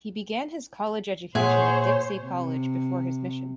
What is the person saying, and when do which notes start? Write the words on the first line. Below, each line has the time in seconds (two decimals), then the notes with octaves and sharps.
He began his college education at Dixie College before his mission.
1.35 A#2 G#4 C5 C#5 E5 F#5 C6
2.25 C3